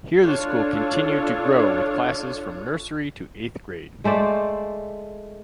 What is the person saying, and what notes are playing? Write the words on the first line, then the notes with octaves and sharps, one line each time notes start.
Here the school continued to grow with classes from nursery to eighth grade.
D4 F4 A4 C#5
G#3 A3 C5 D5